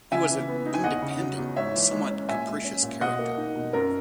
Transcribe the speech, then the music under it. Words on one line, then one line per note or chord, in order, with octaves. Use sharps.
He was of independent, somewhat capricious character.
C#3 E5 G#5
E3
B3
D#4
G#5
E2 D#5 F#5
C#3
F#3
E2
G#2 C#5 E5
E3
G#3
C#4
A#2 E5 G#5
G#3
C#4
A#2
B2 D#5 F#5
A#3
D#4
B2
F#2 A#4